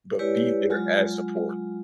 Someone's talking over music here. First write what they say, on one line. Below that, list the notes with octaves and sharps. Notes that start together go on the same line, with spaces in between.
but be there as support.
G#3 E4 G4 B4 C#5 D5
F#3 G#3 F4